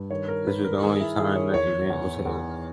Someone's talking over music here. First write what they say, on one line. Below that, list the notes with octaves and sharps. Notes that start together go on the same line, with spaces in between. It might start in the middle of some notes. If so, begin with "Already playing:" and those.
This was the only time that event was held.
Already playing: G2
D#3 C#5
A#4
D#3 B4
A#4
D#3 G#4
E4
D#3 G#4
C#5
E2 C#5
E2
E2